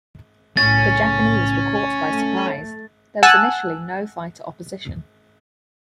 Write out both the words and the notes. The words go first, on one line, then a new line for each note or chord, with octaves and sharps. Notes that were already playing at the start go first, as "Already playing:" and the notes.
The Japanese were caught by surprise; there was initially no fighter opposition.
B1 A2 C#3 C#4 A6
A3
F#5 G#5 A5 E6 F#6